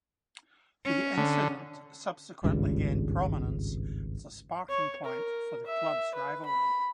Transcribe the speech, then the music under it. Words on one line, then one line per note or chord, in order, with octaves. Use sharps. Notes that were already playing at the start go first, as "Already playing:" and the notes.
The incident subsequently gained prominence as a sparking point for the clubs' rivalry.
C#4
D3
G#1 C#2 G2
C#5
A#4
E5
B4
B5